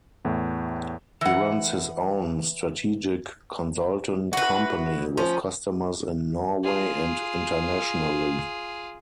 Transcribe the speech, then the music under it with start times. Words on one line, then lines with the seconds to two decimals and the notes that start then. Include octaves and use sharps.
He runs his own "Strategic Consultant - company" with customers in Norway and internationally.
0.25 E2 A2
1.21 E3 F#5
4.33 E4 F#4 B4 F#5
4.98 D2
5.17 F3 C#4
6.64 F4 G#4